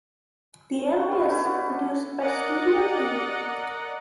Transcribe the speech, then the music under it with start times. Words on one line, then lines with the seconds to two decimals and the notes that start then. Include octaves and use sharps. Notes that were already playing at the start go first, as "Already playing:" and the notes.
The anime is produced by Studio Deen.
0.96 F#5 C#6
1.11 G#3 B4 C#5 F5
1.29 A3 E4 F#4
1.45 C#4 A4 D5 F#5
2.19 A#4 D5 D#5 F#5 A#5